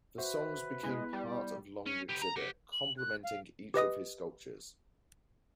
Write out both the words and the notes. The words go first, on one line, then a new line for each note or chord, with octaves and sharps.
The songs became part of Long's exhibit, complementing each of his sculptures.
F#4 B4 C5 E5
G#3 B3 E4
G3
C#4
B3 G4
A#5
G4 F#5
F#7
F#6
F5
G4 B4 D#5 D#6